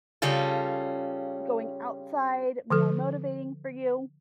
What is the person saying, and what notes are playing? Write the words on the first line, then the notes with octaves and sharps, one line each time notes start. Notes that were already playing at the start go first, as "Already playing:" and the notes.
going outside more motivating for you?
C#3 G3 C#4 F4 A4
D3 F3 A4